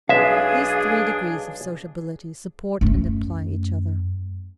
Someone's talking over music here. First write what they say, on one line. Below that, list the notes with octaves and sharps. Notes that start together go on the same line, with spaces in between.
These three degrees of sociability support and imply each other.
B1 G#3 D4 G#4 E5 F5
F#2 A3